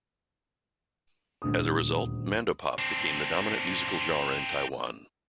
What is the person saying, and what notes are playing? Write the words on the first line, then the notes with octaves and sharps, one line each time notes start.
As a result, mandopop became the dominant musical genre in Taiwan.
D#1 D2 D#6
C4 D4